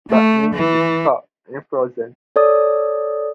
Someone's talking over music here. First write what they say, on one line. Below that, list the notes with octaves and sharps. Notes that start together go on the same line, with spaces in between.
But Mew is caught, and frozen.
A3
E3
A4 C#5 D5 D#6